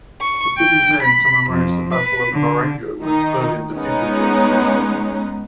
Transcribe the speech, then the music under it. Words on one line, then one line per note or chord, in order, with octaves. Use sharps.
The city's name commemorates the Battle of Marengo, where Napoleon defeated the Austrian army.
C#6
G5
B5
F2
B4
D3
D#3 D#4
G#3 B3 C#4 D#4